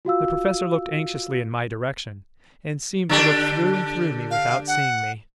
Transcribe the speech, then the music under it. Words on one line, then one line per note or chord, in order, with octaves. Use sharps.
The Professor looked anxiously in my direction, and seemed to look through and through me without seeing me.
F4 F#4 F5 E6
D3 D4 G4
F5
F#5